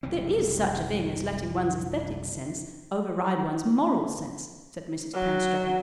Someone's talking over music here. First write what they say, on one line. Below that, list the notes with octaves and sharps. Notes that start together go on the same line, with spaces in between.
"There is such a thing as letting one's aesthetic sense override one's moral sense," said Mrs. Panstreppon.
F#1 C2 E3 C4
F#3